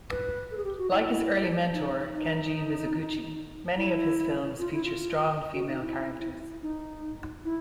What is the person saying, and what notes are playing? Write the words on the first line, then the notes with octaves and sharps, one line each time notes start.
Like his early mentor Kenji Mizoguchi, many of his films feature strong female characters.
B4
A4
G#4
G4
F#4
E4
D#4
D#4
E4
F4
E4
F4
F#4
D#4
E4
D#4
E4